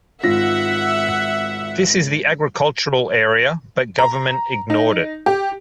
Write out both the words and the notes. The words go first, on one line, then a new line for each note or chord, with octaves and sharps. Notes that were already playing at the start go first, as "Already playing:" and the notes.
This is the agricultural area but Government ignored it.
G#1 F4 E5 F#5 A#6
A#5
D#4
G4